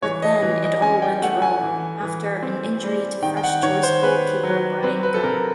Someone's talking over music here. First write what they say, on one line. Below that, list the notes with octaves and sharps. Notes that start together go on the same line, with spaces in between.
But then it all went wrong, after an injury to first-choice goalkeeper Bryan Gunn.
E3 C#5
D#5
E3
D#5
C#4 G#5
G5
A3 F#5
G#5
E3
E3
C4
G3
D#3 G5
G5
F#5
D#3 C#5
C5
B3 B4
F#3
C4 B4
B4
A4
C3 A#4